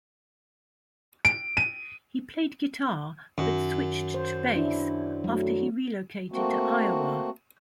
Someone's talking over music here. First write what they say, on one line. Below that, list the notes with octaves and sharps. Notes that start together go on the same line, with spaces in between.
He played guitar but switched to bass after he relocated to Iowa.
D7
D#7
F#2 D#3
C5
D4 E4
F#3 A3
A3 A#3 C4 F#4